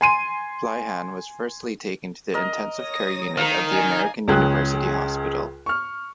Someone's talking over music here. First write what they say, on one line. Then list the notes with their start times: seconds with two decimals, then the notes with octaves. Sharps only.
Fleihan was firstly taken to the intensive care unit of the American University Hospital.
0.01 G#5 C6 D#7
2.34 A#4 D#5
2.77 C#5 D#6 A#6
3.37 D#3 A4 A#4 C5 F5
3.69 D5 D#5 G#5
4.28 C#2 C#3 G#4 G5 F#6
5.66 C#6 F6